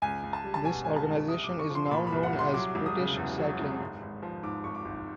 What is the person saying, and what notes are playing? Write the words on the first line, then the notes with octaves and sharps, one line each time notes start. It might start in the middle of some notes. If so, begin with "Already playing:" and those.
This organization is now known as British Cycling.
C#2 G#5
C#2
A5
G3
A5
B2 G#5
C#2 G#5
A5
C#2
C2 D#6
D#6
D6
C2
C#6
F3
C6
C6
A#2 B5
B5
C2
F#5
C2
C6
F#3 D6
E1
D#6
C#3
E2
F#3
E1
G#1
G#1
F3
G#2 D6
G#1 C#6
D6
G#1